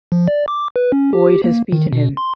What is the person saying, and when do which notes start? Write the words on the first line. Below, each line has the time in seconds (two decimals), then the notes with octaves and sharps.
Boyd has beaten him.
0.12 F3
0.28 D5
0.48 D6
0.76 B4
0.92 C#4
1.13 G4
1.44 A#3
1.72 D#3
1.93 B2
2.17 C6